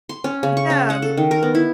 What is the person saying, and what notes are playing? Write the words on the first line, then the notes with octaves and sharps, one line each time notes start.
yeah, b
C6
C#4
C#3
C#6
C#4
F#5
A4
D#3
A#4
B3
E4